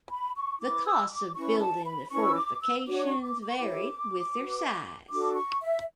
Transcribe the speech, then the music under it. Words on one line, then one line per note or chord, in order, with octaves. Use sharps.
The costs of building the fortifications varied with their size.
B5
C#6
E4 B4 D6
E6
D6
C#4 E4 B4 C#6
A5
B5
C#4 E4 B4 C#6
E6
D6
E6
D4 F#4 C#5 D6
D6
C#6
D6
D6
C#6
E4 G4 C#5 D6
F#4 B4
D4 F#4 A4 D6
C#6
E5